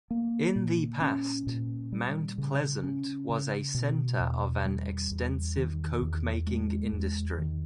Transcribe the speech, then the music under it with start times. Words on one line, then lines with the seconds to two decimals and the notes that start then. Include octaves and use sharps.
In the past, Mount Pleasant was a center of an extensive coke-making industry.
0.11 A#3
0.56 A#2
1.01 C#4
1.47 A#2
1.92 G3
2.38 C#3
2.84 C#4
3.29 C#3
3.74 B2
4.20 E2
4.65 G3
5.11 E2
5.57 D#3
6.02 E2
6.47 G#3
6.92 E2
7.39 D#3